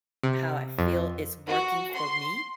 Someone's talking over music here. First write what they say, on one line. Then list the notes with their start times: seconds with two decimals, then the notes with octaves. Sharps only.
how I feel it's working for me
0.23 C3
0.79 F2
1.47 F#4
1.94 C6